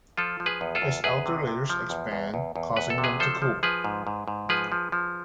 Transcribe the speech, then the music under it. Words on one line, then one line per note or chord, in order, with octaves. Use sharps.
Its outer layers expand, causing them to cool.
F3 F4 A4
F3
G#4 B4
E2
F4 A4
E2
E2 G#4 B4
C3
C3
F3
E2
E2
E2
E2
E2 B4
A4
C3
G#4 B4
F3 A4 C5
F3
F3 G#4 B4
G#2
G#2
G#2
F3 G#4 B4
F3
F3